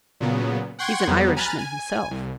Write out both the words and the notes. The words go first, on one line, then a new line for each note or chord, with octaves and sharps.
"He's an Irishman himself."
A#2 C#3 F#3 B3
F#5 G5 C6 C#6 F#6 G#6
F2 F#3 G3 B3
G#5 A#5 B5 F6 F#6 A6
G#5
C2